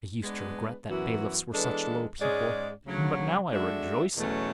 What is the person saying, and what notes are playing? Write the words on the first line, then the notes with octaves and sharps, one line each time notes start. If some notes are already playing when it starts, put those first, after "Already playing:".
I used to regret that bailiffs were such low people, but now I rejoice at it.
G#3 B3 D4 G#4 B4
F#2 E3 B3 F#4
E3 G#3 B3 D4 A4
G#2 G#3 C#4 G#4 D5
D2 C#3 F#3
G#3 D4 F#4 A4 E5
E2 B2 F#3 A3 C#4